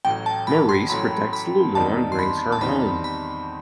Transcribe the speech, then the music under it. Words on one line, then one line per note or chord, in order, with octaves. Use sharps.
Maurice protects Lulu and brings her home.
A1 A2 F#3 G5
A5
B5
C6
A1 A2 F#3 B5
B5
E2 D#3 G3 C4 D#4 A5
C6
B5
A5
E2 D#3 G3 C4 D#4 B5
B5